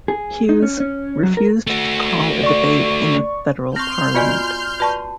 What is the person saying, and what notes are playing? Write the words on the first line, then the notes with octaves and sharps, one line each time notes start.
Hughes refused to call a debate in the Federal parliament.
G#4
D#4
C#4
C#4
F#3
A#4
A3 F#4
D5 C#6
C4 C6 C#6 F6 G6
B3 F4 F#4 D5 D#5 G#5
F#4 B4 D5 A5 C#6